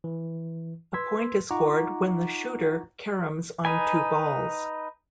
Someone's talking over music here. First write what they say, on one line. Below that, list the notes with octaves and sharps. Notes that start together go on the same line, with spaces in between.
A point is scored when the shooter caroms on two balls.
E3
B4 C6 E6 G#6 B6
D#4 F4 F#5 A#5 C#6 D6
D#4 B4 G#5